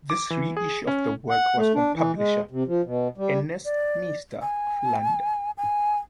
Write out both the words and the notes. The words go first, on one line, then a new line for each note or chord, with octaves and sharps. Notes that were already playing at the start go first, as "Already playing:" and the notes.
This reissue of the work was from publisher Ernest Nister of London.
D6
E3
G#4
C#4
F#5
A3
D4
E3
G#3
C3
F3
B2
G3
D5
G#5
G#5